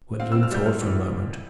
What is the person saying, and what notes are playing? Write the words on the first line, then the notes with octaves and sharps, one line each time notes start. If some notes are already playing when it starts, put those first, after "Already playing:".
Gwendolen thought for a moment.
C4 F5
C4 E6
F6
G3 G6
C4 F6
E3